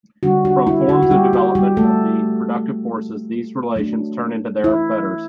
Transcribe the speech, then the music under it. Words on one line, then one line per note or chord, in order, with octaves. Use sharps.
From forms of development of the productive forces these relations turn into their fetters.
D3 G3 D4 F#4
F#4
E4
F#4
F#4
G3 G4
F#4
G3 G4
A3 A4
F#3 A3 D4
E4